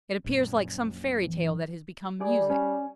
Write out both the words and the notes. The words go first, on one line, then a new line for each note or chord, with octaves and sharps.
It appears like some fairy tale that has become music.
A#1 F#2 A#2
E3
G3 G#4 D5
C#4